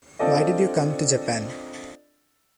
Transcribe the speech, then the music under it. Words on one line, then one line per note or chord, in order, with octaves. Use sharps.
Why did you come to Japan?
C4 D4 F4 A4 D5 D#5